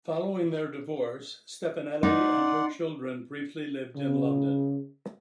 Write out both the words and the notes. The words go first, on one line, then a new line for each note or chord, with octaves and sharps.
Following their divorce, Stefanelli and her children briefly lived in London.
D#4 D5 F#5 C6
C#3